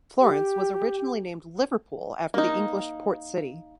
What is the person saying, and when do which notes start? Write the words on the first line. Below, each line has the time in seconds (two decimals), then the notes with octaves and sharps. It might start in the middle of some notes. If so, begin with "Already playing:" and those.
Florence was originally named Liverpool after the English port city.
0.20 G4
2.34 A#3 D#4